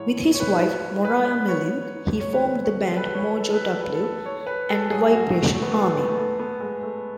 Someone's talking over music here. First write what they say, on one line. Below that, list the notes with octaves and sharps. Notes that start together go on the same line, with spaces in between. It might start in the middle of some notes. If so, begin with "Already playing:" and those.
With his wife Moriah-Melin, he formed the band MoJoW and the Vibration Army.
Already playing: G#2 E3 C#5
C#5
B4
B4
B4
C#5
C#5
E2 D3 F#3 B4
C#5
A4
B4
C#5
B4
A4
B4
A4
B4
A4
C#5
B4
A4
G#2 F#3 G#4
F#4
A3
A3
B3
A3
B3
A3
B3
A3
A3
B3
G#3
A3